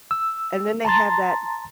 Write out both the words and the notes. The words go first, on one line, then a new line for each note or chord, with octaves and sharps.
and then they have that
E6
A5 A#5 C6 A6